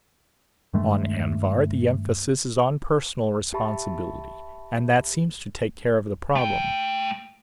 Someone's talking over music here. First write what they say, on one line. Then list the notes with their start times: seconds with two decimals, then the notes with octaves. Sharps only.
On Anvhar the emphasis is on personal responsibility, and that seems to take care of the problem.
0.74 G2 D#3 G#3 A3
3.54 G4 E5 A5 B5 C#6
6.35 A3 G5